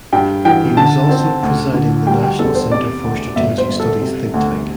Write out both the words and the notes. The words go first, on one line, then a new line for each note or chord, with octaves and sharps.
He was also presiding the National Centre for Strategic Studies think tank.
G2 G5
E3 G5
D3 A5
C4
D2
D3
G3 G5
G5
E2 A4
C5
C3 D5
D2
G1 E5
C5
G1
A4
C3
D2